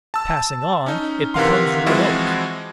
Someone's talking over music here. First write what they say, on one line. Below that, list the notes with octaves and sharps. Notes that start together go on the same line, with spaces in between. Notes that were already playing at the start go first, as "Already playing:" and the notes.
Passing on, it becomes remote.
A5 E6
C#4 D#4
C3 E3 A#4 F5 F#5 C6
E3 F3 G#3 C4 E4 F#4